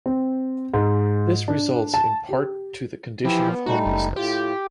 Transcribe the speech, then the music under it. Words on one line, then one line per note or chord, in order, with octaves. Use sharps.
This results in part to the condition of homelessness.
C4
G#2
D4
A5
G4
E3 F3 E4 G4
B3
G3 A3 D#4 F#4
F#1
A2 F4 G4